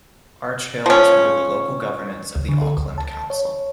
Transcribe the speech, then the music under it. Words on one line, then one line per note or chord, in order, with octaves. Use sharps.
Arch Hill is under the local governance of the Auckland Council.
F3 C#4
C#2
D3
A4
C#2
A5
C#5